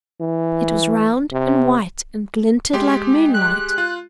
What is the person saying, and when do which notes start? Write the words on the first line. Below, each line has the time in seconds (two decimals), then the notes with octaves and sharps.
It was round and white and glinted like moonlight.
0.21 E3
1.32 C3
2.73 G#3 G4 C6
3.34 F#6
3.78 F4